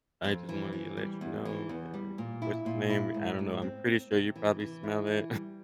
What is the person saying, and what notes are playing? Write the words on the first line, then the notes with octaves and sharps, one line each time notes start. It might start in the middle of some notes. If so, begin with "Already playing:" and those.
"I just wanted you to let you know that what's-his-name, wh I don't know, I'm pretty sure you probably smell it."
F2
E3
E3
G3
E2
E3
E2
G3
A#2
E4
A#2
E4
G#2
G#2
C4
C4
C3
E3
E3
E4
E3
G3